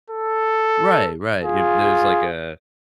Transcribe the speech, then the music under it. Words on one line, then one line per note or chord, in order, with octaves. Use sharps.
Right, right. Y if there's like a
A4
F4 G#4